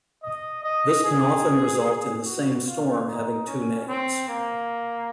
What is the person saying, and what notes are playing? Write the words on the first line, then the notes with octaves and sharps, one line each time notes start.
This can often result in the same storm having two names.
D#5
D#5
G#4
F#4
F4
D#4
C#4
C4
A#3